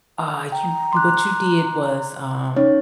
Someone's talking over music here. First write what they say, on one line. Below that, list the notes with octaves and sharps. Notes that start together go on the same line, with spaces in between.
Ah, you you what you did was, um,
G5 A#5
C6 D6 F#6
C#4 D#4 C#5